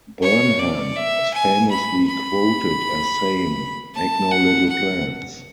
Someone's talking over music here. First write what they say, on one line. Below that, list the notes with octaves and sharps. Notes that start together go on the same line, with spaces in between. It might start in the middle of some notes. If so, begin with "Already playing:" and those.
Burnham is famously quoted as saying, Make no little plans.
C#5
D5
E5
G#5
B5
B5
A5
F#5
F#5